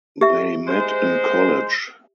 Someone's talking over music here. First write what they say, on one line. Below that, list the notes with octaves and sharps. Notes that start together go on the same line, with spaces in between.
They met in college.
G4 E5
G#3 C5